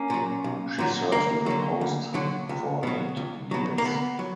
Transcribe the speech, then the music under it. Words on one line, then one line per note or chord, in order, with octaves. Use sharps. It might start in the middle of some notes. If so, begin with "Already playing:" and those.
She served in the post for eight years.
Already playing: A#3 C#4
A#2 F#3
B1
A#2 F#3
D2 A#3
D3 F#3
D2
D3 F#3
C#2
B2 F#3
C#2
B2 F#3
A#3
D2 B3
F#3